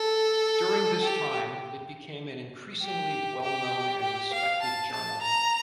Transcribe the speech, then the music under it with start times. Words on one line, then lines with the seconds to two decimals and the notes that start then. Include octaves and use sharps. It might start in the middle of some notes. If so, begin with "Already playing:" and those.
During this time, it became an increasingly well-known and respected journal.
Already playing: A4
1.04 G4
2.83 G4
3.42 G4
4.02 G4
4.33 F5
4.62 A5
4.92 A5
5.22 A#5